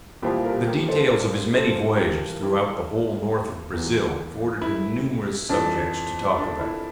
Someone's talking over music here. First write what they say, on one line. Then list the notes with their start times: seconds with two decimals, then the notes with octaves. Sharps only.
The details of his many voyages throughout the whole north of Brazil afforded him numerous subjects to talk about.
0.22 C2 A#2 F3 E4 G4
0.44 G4 A#4
0.67 G4 A#4
0.89 A4 C5
1.10 A#4 D5
1.54 A4 C5
1.98 G2 E3 G4 A#4
2.42 E4 G4
3.73 E2 E3
4.62 E4
5.49 F2 E3 D4
6.38 D4
6.59 E4